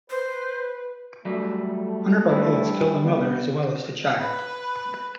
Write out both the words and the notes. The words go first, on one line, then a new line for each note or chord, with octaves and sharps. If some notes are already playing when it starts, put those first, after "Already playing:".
One of our bullets killed the mother as well as the child.
B4 C5
F#3 G3 A3 E5
G3 D4 E4
E3 F3
B3
B4